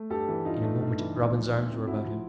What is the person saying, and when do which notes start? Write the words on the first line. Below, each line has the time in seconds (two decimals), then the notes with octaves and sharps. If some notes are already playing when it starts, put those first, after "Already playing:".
In a moment Robin's arms were about him.
Already playing: A3
0.10 G2 G4 A4
0.28 E3
0.45 G2 D#4 F4
0.63 A3
0.81 G2
0.99 E3
1.16 D2
1.34 F3
1.52 D2
1.70 C3
1.87 D2 E4 F#4
2.05 F3